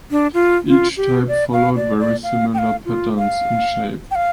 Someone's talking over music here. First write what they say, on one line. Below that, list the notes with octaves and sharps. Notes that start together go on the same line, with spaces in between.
Each type followed very similar patterns in shape.
D4
F4
F4
G4
D5
F5
D5
D5
F5
G5
F5
F4
F5
G5
F5